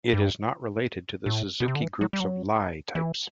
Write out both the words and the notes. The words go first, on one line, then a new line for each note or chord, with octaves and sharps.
It is not related to the Suzuki groups of Lie type.
G2
A2
B2
C3
D3
E3
F#3
G3
F#3
E3